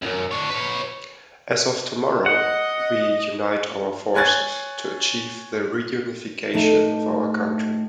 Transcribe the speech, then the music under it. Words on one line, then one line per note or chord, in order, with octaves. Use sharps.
As of tomorrow, we unite our forces...to achieve the reunification of our country.
C#2 F#2
D4 C#5
B4 C#5
D#5 F#5
C#5 G#5 F#6 G#6 A6
A2 A3 D#4